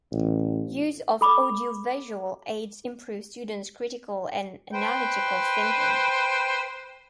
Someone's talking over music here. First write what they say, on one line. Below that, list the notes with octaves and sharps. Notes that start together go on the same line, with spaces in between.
Use of audio visual aids improves students' critical and analytical thinking.
A1
A4 B5 D6
B4 C5 G5